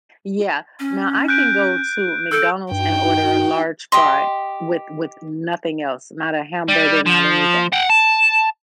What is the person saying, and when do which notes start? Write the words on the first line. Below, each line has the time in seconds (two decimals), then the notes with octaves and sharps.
Yeah, now I can go to McDonald's and order a large fry with with nothing else, not a hamburger, not anything.
0.79 C#4
1.28 F#6 G6 D7
2.32 A4 E6 G6 D7
2.71 G2 D#4 F#4 G5
3.92 G4 D#5 C6
6.68 G3
7.06 F3
7.72 F#5 G5
7.90 A5